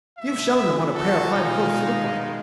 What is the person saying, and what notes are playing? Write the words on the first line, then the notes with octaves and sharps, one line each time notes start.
"You've shown them what a pair of hind hoofs look like."
B2 D3 A3 E5
A#2 F#4 A4
B2 D#3 G#3 F#4 A4
D#4 F5